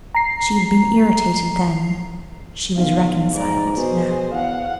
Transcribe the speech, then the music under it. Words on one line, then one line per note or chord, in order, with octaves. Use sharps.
She had been irritated then, she was reconciled now.
A#5 C7
B1 F4
G#2 D5 A#5
B2 G#4 C5
E2 F5 F#5